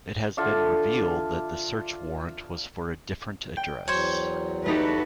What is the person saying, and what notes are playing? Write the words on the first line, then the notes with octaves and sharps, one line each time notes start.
It has been revealed that the search warrant was for a different address.
D3 F4 E5 D6
G5
E2 F#3 C5 C#5
A3 D#4 F#4 G4 A4 B4